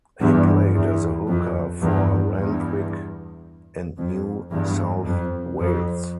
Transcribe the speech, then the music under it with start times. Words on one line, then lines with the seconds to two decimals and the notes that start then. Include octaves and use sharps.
He played as a hooker for Randwick and New South Wales.
0.21 E2 G2
0.75 E2
1.28 F2
1.81 E2 G2
2.35 E2 G2
3.97 F2
4.51 E2 G2
5.05 F2
5.60 F2